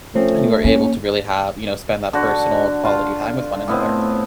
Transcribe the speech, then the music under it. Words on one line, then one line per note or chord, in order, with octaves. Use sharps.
and you were able to really have you know, spend that personal, quality time with one another.
F3 A3 C4 C#4
A#3 C#4
D3 F#4
F4
A2 B3 C4